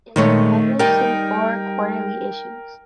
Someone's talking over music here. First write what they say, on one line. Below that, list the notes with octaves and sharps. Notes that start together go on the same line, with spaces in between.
It is published in four quarterly issues.
A#2 D#3 G#3 A3 C#5
G3 D#4 A#4 G5